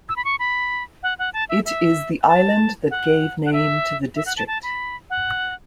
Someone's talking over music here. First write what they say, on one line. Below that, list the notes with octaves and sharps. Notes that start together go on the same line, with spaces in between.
It is the island that gave name to the district.
E6
B5
C#6
B5
F#5
F#5
A5
E5
E5
A5
F#5
F#5
E5
E5
F#5
A5
A5
B5
F#5